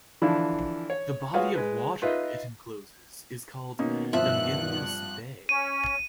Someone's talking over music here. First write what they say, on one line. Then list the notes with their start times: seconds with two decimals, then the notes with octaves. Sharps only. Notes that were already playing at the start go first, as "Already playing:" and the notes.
The body of water it encloses is called Dungeness Bay.
0.22 D3 E3 F3 D4 E4
0.90 C#5
1.34 F4 F#4 G#4 B4 C#5 F5
1.55 G#3 B4
2.02 D#4 F4 B4 D#5 E5
3.79 B2 D#3 A#3 C#4 D#4
4.13 G#1 G2 F3 F4 E5 F#6
5.49 C#4 D#7